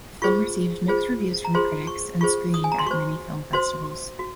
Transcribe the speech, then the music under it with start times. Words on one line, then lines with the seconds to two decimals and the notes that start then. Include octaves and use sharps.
The film received mixed reviews from critics and screened at many film festivals.
0.22 F4 G#4 C5 C#6
0.88 F4 G#4 C5
1.45 A#5
1.54 F4 G#4 C5 C6
1.87 C#6
2.21 F4 G#4 C5 C#6
2.54 D#6
2.64 G#5
2.72 A#5
2.79 C6
2.86 F#4 C5 C#6
3.53 F#4 C5 C6
4.19 F#4